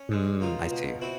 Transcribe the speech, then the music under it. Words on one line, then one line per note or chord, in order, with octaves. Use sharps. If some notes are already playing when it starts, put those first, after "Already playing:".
Mm, I see.
Already playing: C#4
G#3
C#2 D#4 F4
B2
C4 E4 F#4